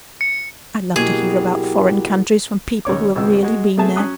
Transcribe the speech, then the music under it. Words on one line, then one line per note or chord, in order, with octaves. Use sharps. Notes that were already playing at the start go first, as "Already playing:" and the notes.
I love to hear about foreign countries from people who have really been there.
C#7
B2 F#3 A#3 E4 G4 G#4
D#2 C#3 C#5 D6
G#1 C#2 G#3 C4 E6
G#3 F#4
C3 A3 B3 G#4 E5 A5
F#3 C#4 A5 D#6 F#6